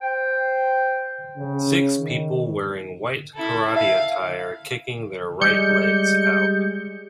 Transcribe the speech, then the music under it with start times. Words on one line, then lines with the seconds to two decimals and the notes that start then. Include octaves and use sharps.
Six people wearing white karate attire kicking their right legs out.
0.02 C5 G5
1.37 C#3
1.98 D#3
3.34 E4 A4
3.76 E5 F5
5.41 G3 G#3 G6 C#7